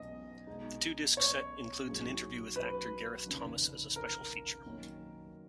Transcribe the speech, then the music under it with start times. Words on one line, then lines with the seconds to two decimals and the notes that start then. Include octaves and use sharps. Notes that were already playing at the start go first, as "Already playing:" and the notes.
The two-disc set includes an interview with actor Gareth Thomas as a special feature.
Already playing: B1 B2 G#3 B3 D#5
0.47 B2 G#3 D#4
1.17 C#5
1.87 G#2 F#3 A#3 C#4 G#4
2.56 B4
3.26 F1 D#2 C#3
3.96 A#4
4.66 F#2 D#3 A#3 C#4